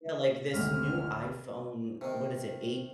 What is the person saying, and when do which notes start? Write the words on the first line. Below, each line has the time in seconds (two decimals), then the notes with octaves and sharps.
Yeah, like this new iPhone what is it? Eight
0.53 G#1 D2 F6
2.01 C3 D#3